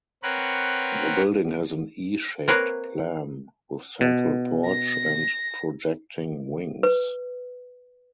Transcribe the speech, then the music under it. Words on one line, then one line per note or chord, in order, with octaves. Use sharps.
The building has an E shaped plan with central porch and projecting wings.
C4 A#4 B4 C#5 F#5
A#3 C4 A#4 B4 C#5 F5
B2
A#6
B4